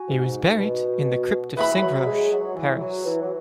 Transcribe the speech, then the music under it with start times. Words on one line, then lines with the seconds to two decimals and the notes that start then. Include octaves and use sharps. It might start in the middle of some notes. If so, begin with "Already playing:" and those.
He was buried in the crypt of Saint-Roch, Paris.
Already playing: F#4 G#5
0.09 G#2
0.59 B2
1.56 E3 B4 E5 B5
1.82 F#3
2.02 F#3
2.06 G#3
2.32 F#3
2.56 E3
2.81 F#3
3.05 E3
3.22 F#3